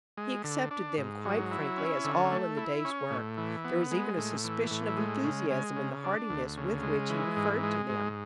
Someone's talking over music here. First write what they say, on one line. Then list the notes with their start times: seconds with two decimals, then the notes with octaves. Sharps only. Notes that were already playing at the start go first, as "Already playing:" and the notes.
He accepted them quite frankly as all in the day's work; there was even a suspicion of enthusiasm in the heartiness with which he referred to them.
0.17 G#3
0.44 D3
0.71 D4
0.97 G#2
1.25 F#3
1.51 E4
1.78 C#4
2.04 D3
2.31 A3
2.57 E4
2.85 C#4
3.10 A2
3.38 E3
3.65 B3
3.91 G#3
4.18 A2
4.44 E3
4.71 A2
4.97 G#3
5.24 C#3
5.50 G#3
5.76 C#3
6.04 D4
6.30 D2
6.57 C#3
6.83 G#3
7.10 E3
7.36 G#2
7.63 G#3
7.90 G#2